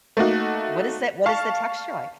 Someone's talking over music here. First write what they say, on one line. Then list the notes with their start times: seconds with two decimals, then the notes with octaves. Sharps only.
What is tha what is the texture like?
0.17 A3 A#3 D#4 F#4
1.26 F5 A5 C#6